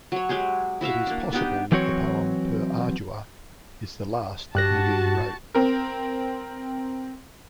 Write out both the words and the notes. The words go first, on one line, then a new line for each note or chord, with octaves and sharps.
It is possible that the poem, "Per Ardua", is the last that Magee wrote.
F#3 C#5
F#3 G#3 G4 G#4
E4 F#4 E5 F5
A#3 D4
B3 D4 D#4 G4
E3 F#3 C4 F#4 C#5
G2 F#4 G4 A5 F#6 A#6
C4 A#4